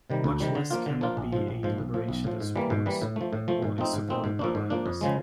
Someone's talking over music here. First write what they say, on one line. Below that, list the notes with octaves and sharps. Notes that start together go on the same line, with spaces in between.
Much less can it be a liberation that supports or is supported by violence.
C3 D#3 G3
D2
C3 D#3 G3
D3
F3 A#3 D4 F4
D3
F3 A#3 D4 F4
A#1
G#2 F3
A#1
G#2 F3
B1
A2 F3
B1
A2 F3
G#2
E3 G3 A#3
G#2
E3 G3 A#3
A2
F3 A3
A2
F3 A3
G#2
F3 A3 C4 D#4
G#2
F3 A3 C4 D#4
G#2
F3 A#3 D4
G#2
F3 A#3 D4
F2
C#3 F3 G#3